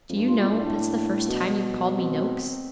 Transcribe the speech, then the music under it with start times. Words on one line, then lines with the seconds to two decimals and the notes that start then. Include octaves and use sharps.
'Do you know, that's the first time you've called me "Noakes"?'
0.09 F2
0.16 G2
0.27 F4
0.38 B2
0.46 A2
0.52 G2
0.60 A2 D4
1.28 B2
1.96 C4